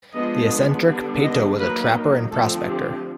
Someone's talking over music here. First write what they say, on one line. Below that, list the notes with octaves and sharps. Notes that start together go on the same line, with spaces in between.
The eccentric Peyto was a trapper and prospector.
F3 G#3 B3 D4 D#5
D3 G3 B3 D4
D#5
F#3 A#3 D#4 B4
D3 F3 A3 C4 A4
G4